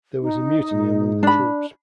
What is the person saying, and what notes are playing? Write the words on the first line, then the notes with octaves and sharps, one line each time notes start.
There was a mutiny among the troops.
D#4
G#2
D4 B5